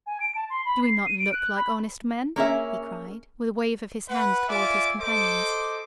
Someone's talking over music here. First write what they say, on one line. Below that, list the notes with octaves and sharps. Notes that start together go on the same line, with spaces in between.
"Do we not look like honest men?" he cried, with a wave of his hand toward his companions.
G#5
D7
A5
C6
B5
C7
D#7
D7
F#6
B5
A#3 C#4 G#4 E5
B4 F#5
F4 D5 E5 G#5 D6
A4 C5 D#5 D6